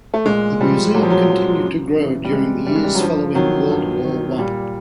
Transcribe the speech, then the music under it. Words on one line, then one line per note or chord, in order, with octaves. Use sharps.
The museum continued to grow during the years following World War One.
A3
A#2 G#3
F3 G3
A#2 F#3
F3
F#3
F3
F#2
C#3 E3
G3
F#2 G#3
C#3 E3 G3
G#3
G3
F#3
G2 F3
D#3 F#3
G2
D#3
A#2 G3